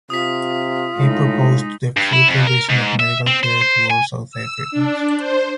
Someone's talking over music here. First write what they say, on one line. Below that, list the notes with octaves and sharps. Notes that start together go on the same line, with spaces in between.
He proposed the free provision of medical care to all South Africans.
C3 F4 D#6 B6
A2 G#3 D#4
G2
E4
F2
A#4
G#2
E5
C4
C5
C5
G#5
E6
D4
C5